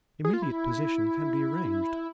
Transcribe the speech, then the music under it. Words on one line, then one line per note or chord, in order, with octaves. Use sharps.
Immediate possession can be arranged.
G#4
F4
E4